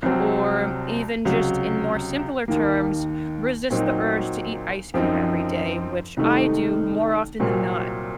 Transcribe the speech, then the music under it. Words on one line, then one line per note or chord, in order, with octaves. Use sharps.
or even just in more simpler terms, resist the urge to eat ice cream every day, which I do more often than not.
C2 C3 F#3 C4
C#2 C3 F#3
D#2 D#3 A#3
A#2 F#3 C4 D#4 F#4
F#2 F3 C4 D#4
C2 C3 D#3 A3 D#4
C2 A#2 F#3 C4